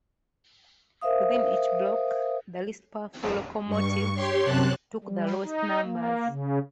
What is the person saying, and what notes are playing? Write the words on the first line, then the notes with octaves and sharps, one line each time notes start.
Within each block, the least powerful locomotives took the lowest numbers.
A#4 C5 E5 F5 D#6
G2 C#6
G4 C#5 C6
F#2 C3 A5 F#6
G3
D#4
A#3
C#3